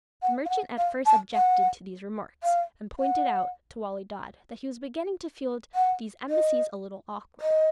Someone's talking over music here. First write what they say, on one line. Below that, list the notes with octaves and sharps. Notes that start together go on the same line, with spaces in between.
The merchant at first objected to these remarks, and pointed out to Wali Dad that he was beginning to feel these embassies a little awkward.
F#5
F5
F#5
F5
A5
F#5
F5
F#5
F#5
D#5
D#5